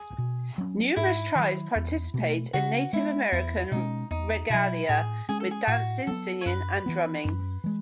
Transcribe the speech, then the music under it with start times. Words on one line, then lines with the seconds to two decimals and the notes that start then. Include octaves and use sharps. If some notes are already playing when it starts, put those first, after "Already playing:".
Numerous tribes participate in Native American regalia with dancing, singing and drumming.
Already playing: G#4
0.18 B2
0.58 F#3 C#4
0.96 G#2 E4
1.35 D#3 F#3
1.75 E2
2.14 B2 A3
2.53 C#3 F#4
2.93 G#3 B3 E4
3.32 E2 E4
3.72 B2 G#3 C#4 D#4
4.11 E2 D#4
4.50 B2 F#3 E4
4.89 A2 G#4
5.29 G#3 C#4 G#4
5.40 A4
5.51 G#4
5.67 A2 F#4
6.07 F#3 B3 A4
6.41 C#5
6.46 F#2 B4
6.86 E3 B3
7.25 F#2
7.64 E3 G#3